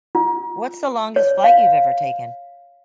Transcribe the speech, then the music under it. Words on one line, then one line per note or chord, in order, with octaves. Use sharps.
What's the longest flight you've ever taken?
F4
C#5
F5